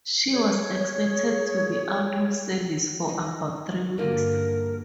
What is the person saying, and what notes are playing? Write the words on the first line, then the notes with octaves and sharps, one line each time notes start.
She was expected to be out of service for about three weeks.
G#4 C#5
D#4
G2 D3 A#3 F4 A#4